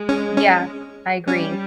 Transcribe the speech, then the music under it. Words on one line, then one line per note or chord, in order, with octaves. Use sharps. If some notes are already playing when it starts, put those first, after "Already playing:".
Yeah, I agree.
Already playing: G#3
C#4
C#4
G3 C#4